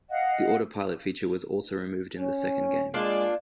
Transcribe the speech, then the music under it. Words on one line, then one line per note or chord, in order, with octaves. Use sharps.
The auto pilot feature was also removed in the second game.
D#5 F5 F#5
C#4
G#3 A#3 D4 F4